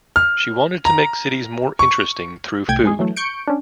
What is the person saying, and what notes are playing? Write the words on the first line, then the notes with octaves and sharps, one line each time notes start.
She wanted to make cities more interesting through food.
F6
A#5
C#6
C2 A2 G5 G#6
G#2 G#3 G#4
E3 F#3 A3
C#6 G6 C#7 D7
C#4 D4